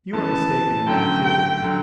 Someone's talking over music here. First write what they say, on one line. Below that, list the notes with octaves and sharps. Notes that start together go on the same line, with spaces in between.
You are mistaken in that, too.
F#2 E3 B3 A5
F#2 D3 F#3 A3 G5
G5
D3 F#3